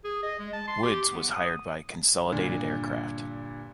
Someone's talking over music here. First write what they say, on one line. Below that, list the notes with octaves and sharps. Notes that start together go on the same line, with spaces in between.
Woods was hired by Consolidated Aircraft.
G#4
D#5
G#3
A5
C6
G4
B3
D#6
G2 A#2 D3